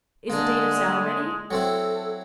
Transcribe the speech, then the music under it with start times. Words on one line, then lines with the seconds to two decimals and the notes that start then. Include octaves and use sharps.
"Is the deed of sale ready?"
0.30 D3 G#3 A#3 D4
1.51 F#3 C4 E4 A4